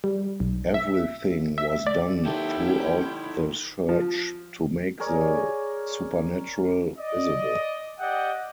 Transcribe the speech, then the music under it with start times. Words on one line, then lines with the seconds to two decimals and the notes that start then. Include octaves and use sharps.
Everything was done throughout the church to make the supernatural visible.
0.04 G3
0.40 B1
0.74 E5
1.58 E5
1.87 D5
2.26 D#2 D#4 E4 A4 G5
3.89 F3
5.00 G#4 A#4 C#5 D5
6.97 D5 D#5
7.99 G4 D5 D#5 F#5 G5